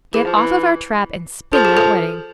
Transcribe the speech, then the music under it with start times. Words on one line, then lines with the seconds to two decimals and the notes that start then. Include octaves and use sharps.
"Get off of our trap and spin that wedding."
0.14 E3 G#4
0.25 F3
0.36 E3
1.53 F3 A4
1.65 G#4
1.77 A4